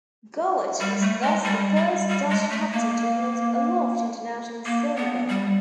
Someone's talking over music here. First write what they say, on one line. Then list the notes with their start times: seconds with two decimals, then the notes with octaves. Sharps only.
Gullit was thus the first Dutch captain to hold aloft international silverware.
0.80 G3
1.01 A3
1.22 G#3
1.44 G3
1.76 G3
2.08 G3
2.30 G#3
2.50 A3
2.72 A#3
4.65 A#3
4.96 B3
5.29 G3